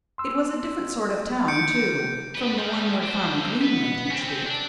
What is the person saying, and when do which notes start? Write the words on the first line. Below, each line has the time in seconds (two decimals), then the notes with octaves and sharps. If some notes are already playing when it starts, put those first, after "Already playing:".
It was a different sort of town, too, from the one where Farmer Green went each week.
0.18 C6 E6
1.48 G6 C#7 D7
2.35 D4 B4
2.58 G3 G#3
3.03 D4 C5
3.62 B3
4.11 C4 C#4
4.46 D4